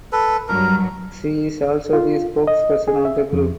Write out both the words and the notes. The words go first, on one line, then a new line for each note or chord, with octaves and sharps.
She is also the spokesperson of the group.
A4 B4
G2 F#3 A#4
F4
D#5
G#4
E5
F2